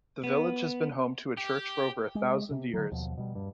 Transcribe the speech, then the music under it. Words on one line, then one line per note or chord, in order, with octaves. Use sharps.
The village has been home to a church for over a thousand years.
B3
G4
G#3
C3
D3 F#3
D#2 B2 F3
B2 G3
G2